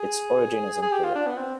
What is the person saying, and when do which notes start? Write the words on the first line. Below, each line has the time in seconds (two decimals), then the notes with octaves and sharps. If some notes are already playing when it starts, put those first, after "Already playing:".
Its origin is unclear.
Already playing: G#4
0.82 G#4
0.92 G4
1.04 F4
1.15 D4
1.26 B3
1.38 C4